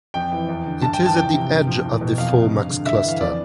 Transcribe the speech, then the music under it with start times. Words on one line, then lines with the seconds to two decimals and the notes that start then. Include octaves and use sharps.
It is at the edge of the Fornax Cluster.
0.14 F2 G5
0.32 E3
0.49 E2
0.66 D3
0.82 G2 A5
0.93 G5
0.99 F3
1.06 A5
1.16 E2 G5
1.34 C3
1.50 G2
1.67 F3
1.84 E2
2.01 B2
2.18 F2 F5
2.35 C3
2.53 G2
2.69 D3
2.86 G2 E5
2.97 E5
3.04 E3 F5
3.20 F2 D5